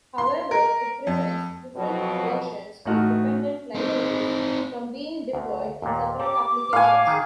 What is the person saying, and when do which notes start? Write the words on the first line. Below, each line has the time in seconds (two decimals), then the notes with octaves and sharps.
However, it prevents different versions of dependent libraries from being deployed in separate applications.
0.18 C6
0.51 A#4
1.07 F2
1.76 F2 B2 F#3
2.85 A1 A3 D#4 F#4 F6
3.75 C4 D#4
5.33 D2
5.82 D#2 A#2
6.20 G4 A4 A#5 D6
6.73 A2 F5 F#5 G#5
7.07 D#3 G#4